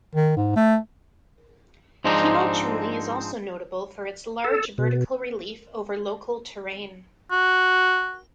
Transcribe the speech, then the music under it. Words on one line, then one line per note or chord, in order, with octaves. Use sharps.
Himalchuli is also notable for its large vertical relief over local terrain.
D#3
G#2
A3
G#2 F3 G#3 C4 D4 D#4
A4
B2
F#4